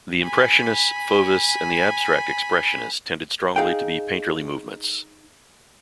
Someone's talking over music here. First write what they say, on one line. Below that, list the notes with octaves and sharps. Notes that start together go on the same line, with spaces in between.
The Impressionists, Fauvists and the Abstract Expressionists tended strongly to be painterly movements.
G#5 B5
D#4 G#4 F5 G5